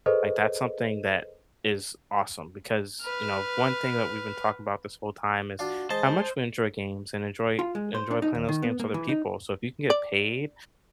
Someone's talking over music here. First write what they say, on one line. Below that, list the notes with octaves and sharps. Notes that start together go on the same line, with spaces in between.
like, that's something that is awesome because, you know, one thing that we've been talking about this whole time is how much we enjoy games and enjoy enjoy playing those games with other people, so if you can get paid
G#4 A4 B4 C5 D#5
B4 F6
D4 F4 F#4
G#3 C5 D#5 A5
F4
G#3
C5
D4
D#4
D#2
D#3
B3
A#3
E3
D#4
D5